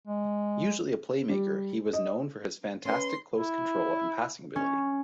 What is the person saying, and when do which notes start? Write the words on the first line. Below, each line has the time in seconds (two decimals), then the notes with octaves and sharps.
Usually a playmaker, he was known for his fantastic close control and passing ability.
0.07 G#3
1.30 G3
1.93 D#5
2.85 C#4 B4 C6
3.36 E4
4.56 C#4